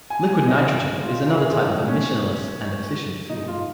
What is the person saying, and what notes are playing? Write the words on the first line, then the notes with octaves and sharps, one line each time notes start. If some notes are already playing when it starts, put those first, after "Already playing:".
Liquid nitrogen is another type of emissionless and efficient fuel.
G#5
G#5
D#5
F4
A#4
G#4
F4
D#4
C#4
D#4
F4